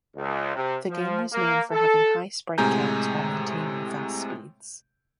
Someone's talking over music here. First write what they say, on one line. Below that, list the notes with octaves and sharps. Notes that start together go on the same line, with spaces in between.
The game was known for having high sprite counts while maintaining fast speeds.
C#2
C3
F3
A#3
A4
A2 C3 G#3 G#5 A#5 G6